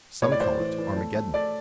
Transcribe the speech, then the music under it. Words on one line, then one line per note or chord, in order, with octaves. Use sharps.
"Some call it Armageddon."
A2 C#5
D5
A2 C5
E3
E3
A3
A3
A3 D5